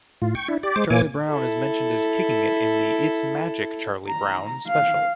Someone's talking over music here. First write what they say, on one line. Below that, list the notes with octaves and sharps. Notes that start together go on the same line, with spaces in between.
Charlie Brown is mentioned as kicking it in the "It's Magic, Charlie Brown" special.
A2 F4
G5 C#6
D4 E4
G4 D5
G#3 C5 D6
A#2 A#3 C#5 G#5 D6
E4 A4
A#5
F5